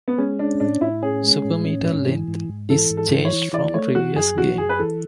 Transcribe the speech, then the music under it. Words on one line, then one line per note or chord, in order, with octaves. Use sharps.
Super Meter length is changed from previous game.
B3
G#3 C#4
C#4 D4
A2 D4
A2 E4
C#4 G#4
G#3
A2
C#4
G#2
E3
G#2
G#2
E3 A4
G#2
A4
E3
C#5
E3
E3 D5
A3 C#5
E3 F#4
F#2 G#4
E3 F#4
F#2 G#4
B4
E3 A4